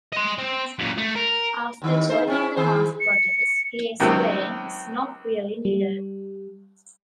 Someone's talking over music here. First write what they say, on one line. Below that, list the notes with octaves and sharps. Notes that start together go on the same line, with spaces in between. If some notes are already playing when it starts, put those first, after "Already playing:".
After joining the mass protest, he explained: It's not really needed...
D#5 C6
C4
F#2 A#2
A3
A#4
D#2 D#3
D#4 G#4 C5
C4 C#4 E4
D#3 G#4 C5
C#7
C#2 C3 D#3 F#3 C4
G3